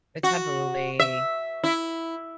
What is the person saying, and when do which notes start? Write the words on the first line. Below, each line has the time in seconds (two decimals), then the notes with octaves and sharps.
the tabbouleh,
0.23 F#4
1.00 E5
1.64 E4